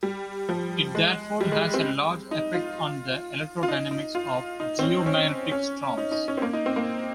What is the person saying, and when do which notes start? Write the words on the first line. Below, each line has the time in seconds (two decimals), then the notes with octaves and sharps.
It therefore has a large effect on the electrodynamics of geomagnetic storms.
0.03 G3
0.49 F3
0.95 G#3
1.41 G3
1.52 G#3
1.74 C4
2.31 D#4
2.54 F4
3.63 F4
3.68 D#4
3.91 D#4
4.15 F4
4.60 D#4
4.79 C4
4.82 C#4
5.06 C#4
5.52 C#4
5.97 D#4
6.12 D#4
6.28 C#4
6.37 C4
6.42 A#3
6.53 D#4
6.66 C4
6.76 A#3